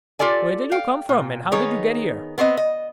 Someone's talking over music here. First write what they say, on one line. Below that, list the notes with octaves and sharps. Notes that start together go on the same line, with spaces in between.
"Where did you come from and how did you get here?"
F4 G4 A4 D5 G#5
F5 G5
A#2
D#3 B3 D#4 G#4 C#5
B3 C4 C#5 D#5
D#5